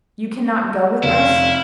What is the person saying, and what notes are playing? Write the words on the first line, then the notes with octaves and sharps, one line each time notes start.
"You cannot go with us!"
F1 E4 F5